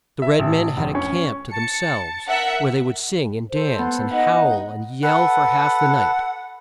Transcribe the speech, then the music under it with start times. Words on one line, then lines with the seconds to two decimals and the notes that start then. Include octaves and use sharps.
The red-men had a camp to them-selves, where they would sing, and dance, and howl and yell for half the night.
0.22 E5
0.39 A1
0.77 F1
0.95 C#4
1.51 A5 C#7
2.27 A#4 E5 F#5
3.51 A4 C5
3.78 B3
4.11 D#4 D#5 F#5
5.03 A4 B4 F#5